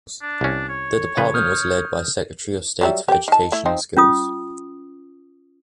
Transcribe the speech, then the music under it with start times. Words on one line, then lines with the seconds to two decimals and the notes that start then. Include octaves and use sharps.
The department was led by Secretary of State for Education and Skills.
0.22 D4
0.41 C2 C#4
0.69 C#5
1.17 C#3 F3 B4
1.34 D#6 F6 G6
2.81 F#3 G3 E5
3.08 G4 G5
3.28 D#3 A5
3.52 A3 E4
3.66 F3 C4 D#4
3.97 C#4 F4 D#6